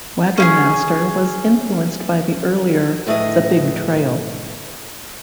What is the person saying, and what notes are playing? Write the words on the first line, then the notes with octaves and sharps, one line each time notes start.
"Wagon Master" was influenced by the earlier "The Big Trail".
C#4 E4 G#4
A2 A3 G#4 B4 D#5